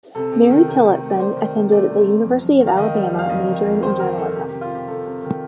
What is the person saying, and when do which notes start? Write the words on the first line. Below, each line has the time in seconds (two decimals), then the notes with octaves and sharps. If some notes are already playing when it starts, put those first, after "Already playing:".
Mary Tillotson attended the University of Alabama majoring in journalism.
0.15 C3 A4
0.32 C3
0.50 D#3
0.68 C3
0.85 D#3
1.02 A3
1.10 D5
1.20 C3 C5
1.37 D#3
1.55 C3
1.72 A3 D5
1.90 C3
2.07 C3
2.24 F2
2.43 F2
2.60 D#3
2.67 F5
2.77 D#3 D#5
2.94 G3
3.13 F2
3.19 F5
3.29 F2 D#5
3.48 D#3
3.65 F2
3.82 D#3 C5
3.99 D#3 A#4
4.17 D#3 A4
4.35 C3 G4
4.49 G4
4.52 C3
4.61 F4
4.71 C3 G4
4.88 C3 A4
5.05 C3
5.22 D#3